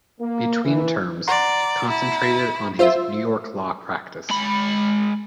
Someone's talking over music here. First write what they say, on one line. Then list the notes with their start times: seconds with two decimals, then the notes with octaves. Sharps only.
Between terms, he concentrated on his New York law practice.
0.21 A#3
0.64 E3
1.28 D5 F#5 A#5 C6
1.89 E4
2.79 F4 C5 E5
4.30 G#3 B5